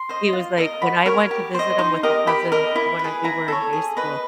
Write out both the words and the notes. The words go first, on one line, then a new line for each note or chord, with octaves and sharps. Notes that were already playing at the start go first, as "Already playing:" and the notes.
He was, like, when I went to visit him with a cousin when I we were in high school,
Already playing: C6
C5 D#5
F4
A#4 D#5
F#4 B5
A#4 C#5
G4
C5 D#5
D#4 C6
G4 A#4 D#5
G4 B5
A#4 D#5
E4
G#4 B4
E4 A#5
A4 C#5
G#4
B4 D#5